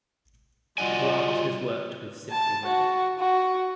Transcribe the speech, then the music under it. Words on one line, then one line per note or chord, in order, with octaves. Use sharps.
Grant has worked with Simply Red.
G3 F4 F#4 D5 D#5 G#5
A5
F#4
F#4